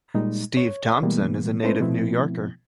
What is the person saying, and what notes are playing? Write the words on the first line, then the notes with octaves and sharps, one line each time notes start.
Steve Thompson is a native New Yorker.
A#2 G3 G#3 D#4
C#5
B2 E3 G3 G#3 A#3 B3
G#3 A3 C4 D#4 B4 C5
B2 F3 A3 B3 C4 E4